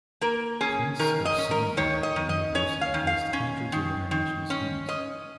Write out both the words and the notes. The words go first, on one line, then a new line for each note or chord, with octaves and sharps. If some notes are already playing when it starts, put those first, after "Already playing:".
Prince of Songkla University hosts hundreds of international students.
A#3 A#4
C#4 G#4
D#3 A#4
D#5
C#4
A#4
D#3 C#5
D#5
D#3
D#5
C#4 C#5
F5
D#3
F5
C#4
D#3
D#3
C#4
C#4 D#5